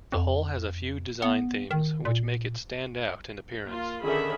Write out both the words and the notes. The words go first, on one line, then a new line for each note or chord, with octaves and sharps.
The hull has a few design themes which make it stand out in appearance.
F2
B3
D#3
A#2
A#3 F4
D3 D#3 C#4 G#4 E5 B5